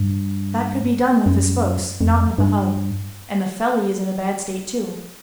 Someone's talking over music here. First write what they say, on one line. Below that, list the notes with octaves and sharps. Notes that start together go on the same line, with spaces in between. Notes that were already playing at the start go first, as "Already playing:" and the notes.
"That could be done with the spokes, not with the hub; and the felly is in a bad state, too."
Already playing: G2
F#2
F2
G2